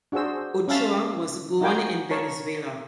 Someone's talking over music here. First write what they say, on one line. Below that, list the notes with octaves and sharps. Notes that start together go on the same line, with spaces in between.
Ochoa was born in Venezuela.
D4 F#4 G#4 C5 E6
C#4 E5 F5 A5
D#4 F4 F#4 A#4 G5 G#5
A#4 C#5 A5